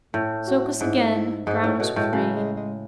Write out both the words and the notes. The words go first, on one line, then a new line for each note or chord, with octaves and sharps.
"Soak us again-- Drown us with rain!"
A2 A3
F#4
G#2 E4
E4
G#2 D#4
A2 C#4
B2 A3
A2 G#3
C#3 F#3
G#3
G#3